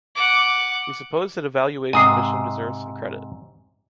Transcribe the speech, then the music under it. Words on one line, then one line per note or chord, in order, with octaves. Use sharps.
We suppose that evaluation mission deserves some credit.
F#5 D6
G#2 C3 G#5 D#6 C7